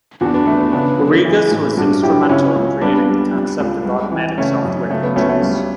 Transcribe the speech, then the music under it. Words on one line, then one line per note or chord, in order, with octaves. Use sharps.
Rigas was instrumental in creating the concept of automatic software patches.
E2 D4 F#4
B3 D4
E2 A3
B3
C#3 B3 D4
F#3
E3
A2
G2 D4 F#4
F#3 E4 G4
C#3 C#4 E4
C#2
G3 B3 D4
G3
G3
C#2
G3
E3
C#3 A3 C#4
F#2
C#3 A3
B3
D2 A3 C#4
A3 C#4
G3